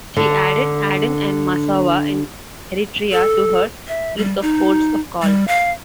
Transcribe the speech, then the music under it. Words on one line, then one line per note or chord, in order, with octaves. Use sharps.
She added Aden and Massawa in Eritrea to her list of ports of call.
D3 D4
A4
E5
G3
D#4
G3
F5